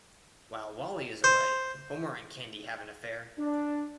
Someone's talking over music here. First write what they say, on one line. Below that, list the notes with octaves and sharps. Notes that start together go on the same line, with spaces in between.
While Wally is away, Homer and Candy have an affair.
C5
D4